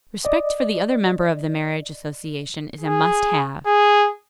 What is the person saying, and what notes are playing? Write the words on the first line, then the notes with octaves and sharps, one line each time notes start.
Respect for the other member of the marriage association is a must-have.
D5 D#5
G#4
G#4